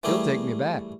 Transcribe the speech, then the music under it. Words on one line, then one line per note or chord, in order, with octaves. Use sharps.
He'll take me back.
E3 G3 A3 G4 G#4 A#4